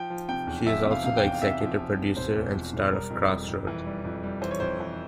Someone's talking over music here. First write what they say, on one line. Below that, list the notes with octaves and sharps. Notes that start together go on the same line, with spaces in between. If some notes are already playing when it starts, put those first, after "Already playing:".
She is also the executive producer and star of "Crossroad".
Already playing: F3 G5
F3
C3 G5
E2
F3 E5
C3
F5
C3 F5
G5
E2
F5
C3 E5
F3
F3
C3
E1 C5
E2
F3
E1
G3 A#4
F2
G3
F2
E3
G3
F2
G3
E3 C5
C#5
F2 C5
E3